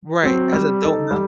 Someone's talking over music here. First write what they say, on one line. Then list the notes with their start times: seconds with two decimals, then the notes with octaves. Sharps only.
Right, as a adult now
0.23 F#3 C4
0.53 G3
0.82 D#4 A4
1.11 G3